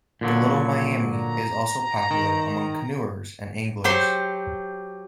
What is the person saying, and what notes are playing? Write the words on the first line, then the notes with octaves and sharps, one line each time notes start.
The Little Miami is also popular among canoers and anglers.
A#2 D3 F#3
A#5
D#3
F#3 G4 C5 C6